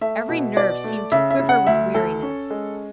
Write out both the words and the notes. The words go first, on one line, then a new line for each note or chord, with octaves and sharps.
Every nerve seemed to quiver with weariness.
A3 E5
B2
B2 D5
A3
C#3 E5
E5
C#3
F#5
D2 E5
D2 A4
C#4
G#3